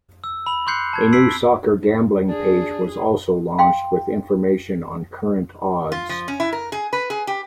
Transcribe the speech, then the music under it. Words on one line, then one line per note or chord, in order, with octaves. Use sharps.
A new soccer gambling page was also launched, with information on current odds.
E6
B5 F7 F#7
C6 D6 F#6 G6 C7 C#7
A5 G#6
E6 B6 C7 D7 F#7
D4 G#4
F5 G5 C6
F4
F3
C#4
E4
A#4
G#4
B4
G#4
G4